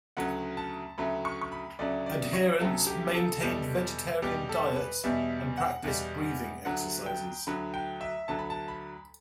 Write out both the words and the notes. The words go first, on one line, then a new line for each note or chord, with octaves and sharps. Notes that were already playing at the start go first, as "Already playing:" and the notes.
Adherents maintained vegetarian diets and practiced breathing exercises.
D2 C#3 F#3 A3 F#5
A5
D2 C#3 F#3 A3 B5
C#6
C#6
B5
D2 C#3 F#3 A3 D5
D5
C#5
D2 C#3 F#3 A3 A4
G4
A4
E2 B2 G3
E2 B2 G3 G4
A4
B4
E2 B2 G3 E5
F#5
E2 B2 G3
D2 D3 F#3 F#5
G5
D2 D3 F#3 B5
G5
E5
D2 D3 F#3 A5
B5
A5
B5